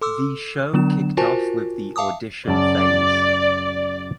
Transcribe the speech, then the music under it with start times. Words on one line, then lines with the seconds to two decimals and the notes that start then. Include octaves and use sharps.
The show kicked off with the audition phase.
0.01 A4 C6 D6 E6
0.73 D3 F#3 B3 D4 E7
1.17 F4 F#4 A#4 C5 G#5 A5
1.96 E5 F5 A5 D6 D#6
2.48 F#2 C#3 D5 A5